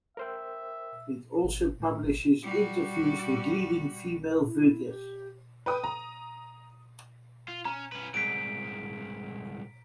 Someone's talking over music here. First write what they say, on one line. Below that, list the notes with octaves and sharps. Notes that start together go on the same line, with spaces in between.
It also publishes interviews with leading female figures.
A#4 C5 E5 G5
G#1
A2
G#1
G3 F#4
E4
G4
B4 G5 D#6
A#5
F4
C#4 A#5
C#4 B4
C2 G#2 B6 D7